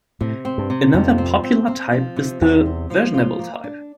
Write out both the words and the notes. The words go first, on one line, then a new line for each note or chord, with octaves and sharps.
Another popular type is the versionable type.
A2 C3
C4
G2
C3
F2 F3
C4
C4
C4
F3
C3
E2 C3
C4
F3
F4
A#3
D4